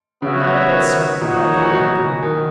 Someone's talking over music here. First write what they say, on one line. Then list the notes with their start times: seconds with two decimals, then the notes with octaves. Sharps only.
"Not a bit, sir," replied the American.
0.22 C#3 B3 F#4 C#5 E5
0.72 D#3
1.21 A#2 D#4 F#4 C#5 F#5
1.44 D#3
1.59 E3
1.72 F#3
2.23 D#3